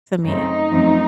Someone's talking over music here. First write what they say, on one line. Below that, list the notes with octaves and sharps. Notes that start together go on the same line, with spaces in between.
to me.
F#2 C#3 A3 C4 D#4
F#2 F3 A3 C4